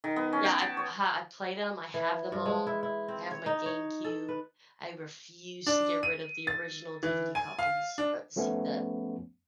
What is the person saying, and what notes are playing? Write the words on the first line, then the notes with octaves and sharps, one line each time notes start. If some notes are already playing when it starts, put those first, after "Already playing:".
Yeah, I've ha I've played 'em. I have them all. I have my GameCube. I refuse to get rid of the original DVD copies. Uh, see that
D#3
B3
C#4
G5
A5
C#5
E3
G2
G#3
E4
E4
C4
C#5
D#4
C#5
A4
B4
D4
D#7
A6
E3
G#5
F5
D4
F3 A3 B3 C#4